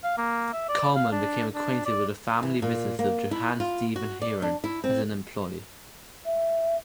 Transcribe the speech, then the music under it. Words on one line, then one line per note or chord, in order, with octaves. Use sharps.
Kuhlmann became acquainted with the family business of Johann Stephan Heeren as an employee.
F5
A#3
E5
D5
F5
D4
D4
D5
E3
A#2
A#3
E4
F4
F#4
D5
D4
E4
C4
E5